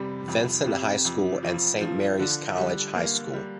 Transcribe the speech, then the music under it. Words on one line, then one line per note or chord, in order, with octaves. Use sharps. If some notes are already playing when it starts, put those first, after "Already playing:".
Vincent high school and Saint Mary's College High School.
Already playing: F1 C3 G3
F2
C3
F2
F3
F3
D3
G3
A#3
G3